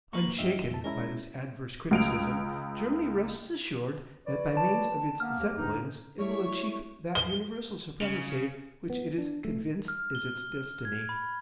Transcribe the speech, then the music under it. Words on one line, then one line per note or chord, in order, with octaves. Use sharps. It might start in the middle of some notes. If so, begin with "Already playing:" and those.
Unshaken by this adverse criticism, Germany rests assured that by means of its Zeppelins it will achieve that universal supremacy which it is convinced is its Destiny.
A#3 B4 C#6
G2 F4 G4 D#5 E5
E3
E2 A5
G#3 C#4 E4 A#4
C#2 D7 F7
B4 C#5 D5
A5
A#3 B3 F6
D#2 A#3
G2 D3 D#4
G3 A3 E4 C#5 C#6
G7
C#3
B3
D4
A3
F6
G7
G#6
B5